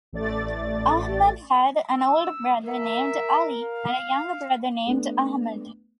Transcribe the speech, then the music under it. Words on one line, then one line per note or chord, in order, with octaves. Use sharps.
Ahmad had an older brother named 'Ali and a younger brother named Ahmad.
A1 A3 D5 A6
E6
A#4 E5
F5
A3 B3 D4